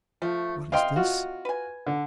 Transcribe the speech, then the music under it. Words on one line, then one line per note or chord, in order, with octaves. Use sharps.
"What is this?"
F3 A3
C3 D#5 F5 G5 C6
F4 F#4
B4 G#5
D3